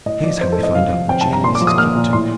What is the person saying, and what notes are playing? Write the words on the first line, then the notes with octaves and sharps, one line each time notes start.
"Here's how we find out which of you this is keyed to."
A2 D#5
F3 D5
C4 C5
A4
A2
D#5
C3 F5
F3
C4 G5
A5
C3
A#5
A#2 C6
D6
F3
D#6
A#3 F6
A#2
A2 C6